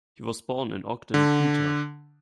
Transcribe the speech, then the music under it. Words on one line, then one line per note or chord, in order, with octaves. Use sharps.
He was born in Ogden, Utah.
D3